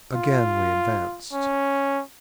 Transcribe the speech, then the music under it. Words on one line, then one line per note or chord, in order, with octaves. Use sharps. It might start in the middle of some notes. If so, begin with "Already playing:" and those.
Again we advanced.
F4
C#4